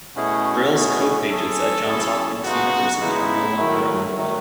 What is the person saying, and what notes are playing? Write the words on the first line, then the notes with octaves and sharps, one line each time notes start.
Brill's code pages at Johns Hopkins University are no longer on the web.
B2 A3 C#4 E4 F#4 G#4
B2 A3 C#4 E4 G#4
F#3 C#4 E4 G#4 A4
F#3 C#4 E4 G#4
C#3 G#3 B3 D#4 F#4
C#3 G#3 B3 D#4 E4
D#3 F#3 A3
D#3 F#3 A3